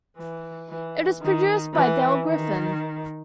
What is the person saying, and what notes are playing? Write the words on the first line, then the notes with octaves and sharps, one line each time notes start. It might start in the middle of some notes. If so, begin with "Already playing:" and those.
It is produced by Dale Griffin.
E3
E3
D#3
E3
D#3